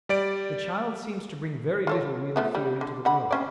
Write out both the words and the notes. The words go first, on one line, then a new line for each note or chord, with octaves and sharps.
The child seems to bring very little real fear into the world.
G3 D5 D7
F4 A4 C#5
F3 A3 B3
G3
D3
D3 F#5 B5
C4 C#4 D5